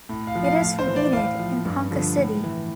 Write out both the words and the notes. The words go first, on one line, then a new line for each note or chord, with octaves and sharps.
It is from Enid and Ponca City.
A2
F5
F3
F5
A2 F5
C5
E3
D5
A2 F5
F3
G2
D3 F3
A2
E3